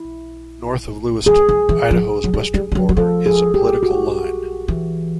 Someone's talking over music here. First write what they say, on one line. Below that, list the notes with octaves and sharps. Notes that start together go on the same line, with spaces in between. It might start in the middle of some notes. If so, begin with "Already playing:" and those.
North of Lewiston, Idaho's western border is a political line.
Already playing: E4
E3 G#4
E3
E3
F3
F#3
G3
G3
G3
F#3
F#3
F3 A4
G#4
G4
F#4
E3